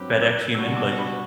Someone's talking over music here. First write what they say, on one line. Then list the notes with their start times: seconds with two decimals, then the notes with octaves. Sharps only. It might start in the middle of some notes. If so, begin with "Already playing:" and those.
FedEx human, but
Already playing: G2 F#3 C4 G4 B4
0.10 F#6
0.22 E6
0.32 F#6
0.54 B2 G3 D4 F#4 E6
0.77 D6
0.98 B5